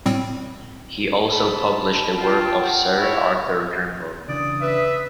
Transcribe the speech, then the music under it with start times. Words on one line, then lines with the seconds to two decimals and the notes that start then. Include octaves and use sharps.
He also published the work of Sir Arthur Grimble.
0.06 A2 G3 C4
1.29 A5 B5
2.18 F4 G5
2.59 F#5
2.96 E4 C#5
4.28 C#3 E3 D4 D5 D#6
4.62 B4 E5